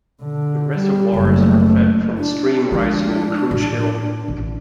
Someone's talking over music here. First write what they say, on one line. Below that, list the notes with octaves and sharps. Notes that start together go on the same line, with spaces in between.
The reservoirs are fed from a stream rising on Creuch Hill.
D3
G3
F#1 A3
D4
F3 G#3 D4
A2
A1